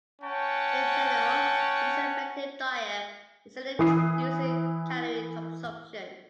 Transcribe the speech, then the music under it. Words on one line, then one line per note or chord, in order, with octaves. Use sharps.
In general, the most effective diet is any which reduces calorie consumption.
C#4 F#5 G5 A5 C#6
E3 E4 D#6 C7